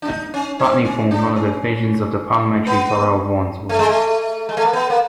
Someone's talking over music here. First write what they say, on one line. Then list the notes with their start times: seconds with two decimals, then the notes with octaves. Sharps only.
Putney formed one of the divisions of the Parliamentary Borough of Wandsworth.
0.02 D4
0.08 D#4
0.34 C#4
0.59 C4
0.85 C#4
1.11 D4
1.36 C#4
2.67 B3
3.69 A3
3.79 G#3
3.89 A3
4.49 G#3
4.57 A3
4.65 A#3
4.73 B3
4.90 A#3